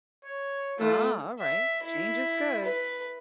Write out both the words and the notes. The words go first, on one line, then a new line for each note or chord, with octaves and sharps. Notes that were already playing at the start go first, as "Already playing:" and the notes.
Oh, alright, change is good.
C#5
A3 F4
E5
E4
B4